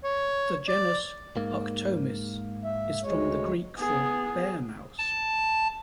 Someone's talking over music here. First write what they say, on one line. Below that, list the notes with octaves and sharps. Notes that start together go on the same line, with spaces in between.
The genus, "Arctomys", is from the Greek for "bear-mouse".
C#5
D5
G#2 A#3
E5
D2 G#3 C#5
B3 G#4
A5